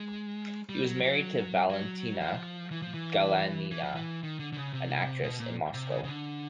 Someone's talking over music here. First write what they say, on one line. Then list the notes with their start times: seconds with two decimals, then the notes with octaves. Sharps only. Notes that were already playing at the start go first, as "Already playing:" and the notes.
He was married to Valentina Galanina, an actress in Moscow.
Already playing: G#3
0.69 G3
0.86 F#3
1.03 F#3
1.70 F#3
2.21 F3
2.71 E3
2.82 F3
2.94 E3
3.72 E3
3.83 F3
3.95 E3
4.23 D#3
4.39 D3
4.53 D3
4.57 C#3
4.73 C3
5.24 B2
5.40 A#2
5.74 C3
5.91 C#3
6.04 C#3
6.07 D3